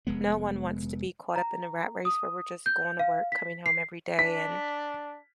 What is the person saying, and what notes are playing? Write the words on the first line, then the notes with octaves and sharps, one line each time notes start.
No one wants to be caught up in a rat race where we're just going to work, coming home every day, and,
F1 G#3 B3
A#5
D#6
G6
F5
B6
C7
D4 B6